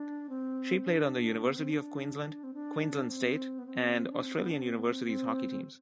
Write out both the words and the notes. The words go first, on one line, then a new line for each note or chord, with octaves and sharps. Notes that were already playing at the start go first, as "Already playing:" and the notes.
She played on the University of Queensland, Queensland state and Australian universities hockey teams.
Already playing: D4
C4
D4
B3
C4
D4
C4
D4
C4
B3
C4
D4
C4
B3
D4
C4
B3
C4
C4